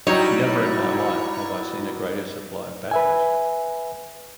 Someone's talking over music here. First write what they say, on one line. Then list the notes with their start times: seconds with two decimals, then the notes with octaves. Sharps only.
Never in my life have I seen a greater supply of batteries.
0.07 F#3 G3 D#4 E4 C#5
2.91 B4 E5 G#5